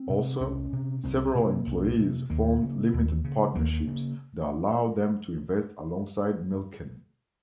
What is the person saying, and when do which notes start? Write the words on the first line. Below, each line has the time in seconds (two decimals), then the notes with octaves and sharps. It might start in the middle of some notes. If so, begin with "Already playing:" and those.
Also, several employees formed limited partnerships that allowed them to invest alongside Milken.
Already playing: C4
0.09 C3
0.40 C2 C#4
0.73 C3
1.04 C2 C4
1.35 C3 A#3
1.67 C2
1.98 C3
2.30 D#2 A#3
2.62 C#3
2.93 D#2
3.24 C#3
3.55 D#2 A#3
3.87 C#3